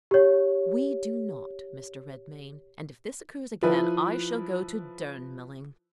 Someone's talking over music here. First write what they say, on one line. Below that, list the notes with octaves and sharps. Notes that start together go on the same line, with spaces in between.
"We do not, Mr. Redmain; and, if this occurs again, I shall go to Durnmelling."
G4 C#5
F3 E4 B4